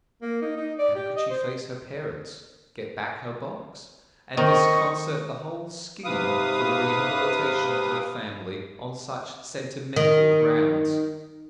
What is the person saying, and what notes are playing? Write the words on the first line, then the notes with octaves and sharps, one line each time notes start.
How could she face her parents, get back her box, and disconcert the whole scheme for the rehabilitation of her family on such sentimental grounds?
A#3
D#4
D#4
D5
G4
D#5
C5
D#3 C4 D#5 C#6
G#2 C3 B4 F5 D#6
D#3